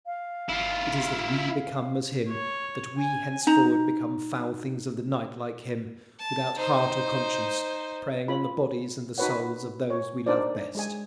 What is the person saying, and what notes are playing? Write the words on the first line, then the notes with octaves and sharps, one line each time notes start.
It is that we become as him; that we henceforward become foul things of the night like him--without heart or conscience, preying on the bodies and the souls of those we love best.
F5
G#1 E4 F4
C#5
G#5
D#4 A#5
A5
D#4 C5
F4 B5
D#4 F#4 A#4 B4 C#5 F#5
C#5
D4 D#4 A#4 C5 D5
G#3 G#4 G#5